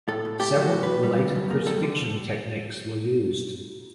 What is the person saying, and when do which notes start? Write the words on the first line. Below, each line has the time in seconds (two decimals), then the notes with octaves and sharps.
Several related crucifixion techniques were used.
0.08 A2 A4
0.25 A2
0.40 A3 G4
0.57 F#3 F#4
0.72 A2
0.83 B4
0.88 A2
1.03 G3
1.19 D3
1.35 F#2
1.50 A#3
1.66 G3 A4
1.83 D3